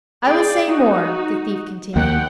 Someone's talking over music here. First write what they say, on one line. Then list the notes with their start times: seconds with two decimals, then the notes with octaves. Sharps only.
"I will say more," the thief continued.
0.24 G#4 D5 G5
0.65 D#4 F#4
1.96 D#2 A#3 F#5 G5